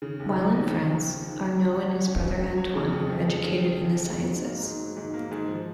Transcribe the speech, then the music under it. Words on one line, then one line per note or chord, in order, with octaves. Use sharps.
While in France, Arnaud and his brother, Antoine, were educated in the sciences.
C#3
D#2
F3
D#2
C#3
D#2
F3
D#2
C#4
F#3
F#4
C#5
C#4
F#3
F#4
C#5
C#3
F2
F3
G#3
C#3
F2
F3
G#3
F#3
G#2
A#3
G#2
F#3
G#2
A#3
G#2
F3